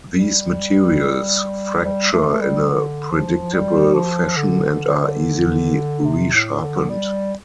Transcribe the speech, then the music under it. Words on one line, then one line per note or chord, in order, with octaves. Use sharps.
These materials fracture in a predictable fashion, and are easily resharpened.
G3
G3
A3
G3
D3
F3
G3
F3
D3
C3
A2
D3
G3